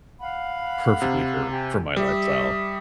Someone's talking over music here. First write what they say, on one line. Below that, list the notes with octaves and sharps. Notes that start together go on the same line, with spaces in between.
perfectly for for my lifestyle.
F5 F#5 B5
C3
G4 G#5
G3 E5 D#6